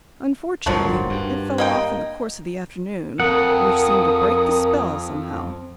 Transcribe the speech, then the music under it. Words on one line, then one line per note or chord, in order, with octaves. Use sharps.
Unfortunately it fell off in the course of the afternoon, which seemed to break the spell somehow.
D1 G1 G2 D#3 F3 F#3
G2
A#3 D#5 G5
F2 A#4 F#5 D#6